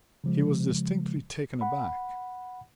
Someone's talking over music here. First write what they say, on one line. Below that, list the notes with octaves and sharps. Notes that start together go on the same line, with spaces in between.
He was distinctly taken aback.
C#3 F3 G#3
F#5 B5